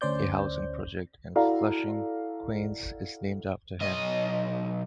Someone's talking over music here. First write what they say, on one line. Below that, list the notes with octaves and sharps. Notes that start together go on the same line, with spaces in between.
A housing project in Flushing, Queens, is named after him.
D2 C#4 C5 D5 G6
E4 F#4 A4 D5 F5 A#5
B1 D#5